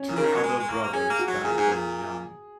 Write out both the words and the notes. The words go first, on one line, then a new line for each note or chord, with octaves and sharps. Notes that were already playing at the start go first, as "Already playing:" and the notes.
Two other brothers died very young.
Already playing: C#4
A#2
C#3 A#4
D#3
F#3
G#3
G#3
A#3
A#3
C#4 G#4
A#3
F#4
F#3
A#2 G#4
G#2
A#2